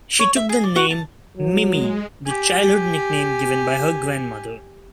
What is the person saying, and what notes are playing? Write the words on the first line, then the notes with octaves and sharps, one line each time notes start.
She took the name "Mimi", the childhood nickname given by her grandmother.
C#5
E5
G#4
D5
F#4
A5
F#3
G#3
G4 G#5